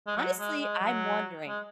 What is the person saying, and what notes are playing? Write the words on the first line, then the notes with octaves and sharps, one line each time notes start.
honestly, I'm wondering
G#3
F#3
G#3
G#3
F#3
G#3